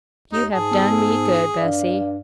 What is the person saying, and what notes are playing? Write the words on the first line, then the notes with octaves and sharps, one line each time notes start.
You have done me good, Bessy.'
D#2 D#4
G#2 G#4 A5
B3 A5 E6
G2 D5 F5